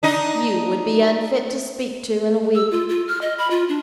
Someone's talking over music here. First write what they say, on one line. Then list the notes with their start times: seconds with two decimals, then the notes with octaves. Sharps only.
You would be unfit to speak to in a week.
0.03 D4 D#4 D#5
2.55 E6
2.71 F4
2.89 F4
3.08 F6
3.21 D#5
3.38 B5
3.50 F4
3.69 D4